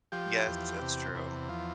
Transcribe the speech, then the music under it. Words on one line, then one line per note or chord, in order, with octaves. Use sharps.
Yes, that's true.
F3 G4
E2
C3
E2
F3